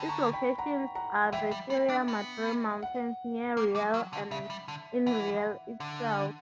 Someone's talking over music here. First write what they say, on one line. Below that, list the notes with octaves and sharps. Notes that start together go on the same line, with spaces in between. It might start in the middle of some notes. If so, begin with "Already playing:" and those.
Its locations are the Sierra Madre mountains near Real and in Real itself.
Already playing: D3 G5 B5
A#5 C#6
G5 B5
F#5 A#5
F#5 A#5
E3 E5 G5
G3
B3
D4
B3
F#5
A#3
G3
F#3
D3
C#3 E5
G3
D3
E3 F#5
D3